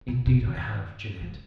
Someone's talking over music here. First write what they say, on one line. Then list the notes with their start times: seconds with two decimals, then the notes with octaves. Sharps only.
"Indeed I have, Jeannette."
0.08 B2
0.27 B2
0.46 D#3
1.21 F3